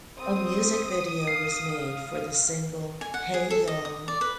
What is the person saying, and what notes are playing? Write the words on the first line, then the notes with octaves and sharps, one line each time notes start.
A music video was made for the single "Hey Y'all".
C4 D#6
F5 C7
G#5
F#5
G#4
A4
D#5
D#6
D5
B4